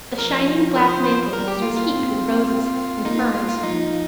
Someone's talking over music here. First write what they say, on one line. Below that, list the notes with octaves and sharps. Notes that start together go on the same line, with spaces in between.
The shining black mantelpiece was heaped with roses and ferns.
F3 A#4
A#4
C5
C5
G3 A#4
G4
A#3 F4
F4
C4
A#3 D#4
F4
A#3 F4
F4
F3 D#4